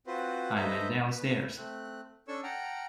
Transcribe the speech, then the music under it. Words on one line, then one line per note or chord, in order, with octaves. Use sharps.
I went downstairs.
C4 F4 F#4 B4 C5
A4 B4 C5 D#5 E5 A#5
B4
A3 C4 F#6
C#4 D4 A4 C#5 C#6 E6
F#5 G5 A5 A#5 F6